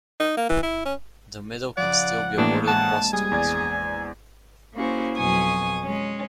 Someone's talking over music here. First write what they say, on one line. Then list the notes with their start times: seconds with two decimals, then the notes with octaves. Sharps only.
The medal can still be awarded posthumously.
0.20 D#4
0.37 A#3
0.50 E3
0.63 E4
0.85 C#4
1.77 C#3 F3 D5 F#5
2.38 A2 E3 A#3 B3 D4 A#4
2.68 C3 G#3 D4 F#5 A5
3.13 G3 G#4 G#5
3.32 E2 D5 G#6
4.74 A#3 C#4 E4 F#4 G#4 C5
5.16 F2 B2 F#3 G#5 C#6 D#6
5.82 G#3 C#4